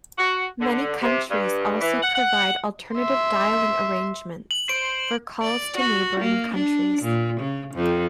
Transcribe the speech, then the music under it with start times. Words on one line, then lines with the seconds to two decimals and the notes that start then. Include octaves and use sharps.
Many countries also provide alternative dialling arrangements for calls to neighbouring countries.
0.18 F#4
0.61 D3
1.02 C3
1.31 G2
1.81 E3
2.02 F#5
2.14 F#5
2.95 E5 C6
4.51 F#7
4.69 C5 D7
5.42 D5
5.77 F#4
6.20 A#3
6.54 D4
7.02 A#2
7.41 C#3
7.75 F2